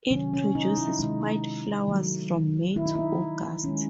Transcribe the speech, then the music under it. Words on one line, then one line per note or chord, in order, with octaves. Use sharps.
It produces white flowers from May to August.
C3 D#3 F#3 C#4
C#4
D#4
E4
C3 D#3 G#3 D#4
D#3 F#3 A3
D#3 A3 E4
D#4
E4
D#3 G#3 C#4